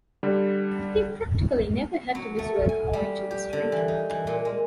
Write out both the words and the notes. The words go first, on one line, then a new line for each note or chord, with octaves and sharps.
He practically never had to miss work owing to his drinking.
D3 G3
F#3
A3
G#5
G3
G4
D3
E3
D#4
E3
A#2
G#3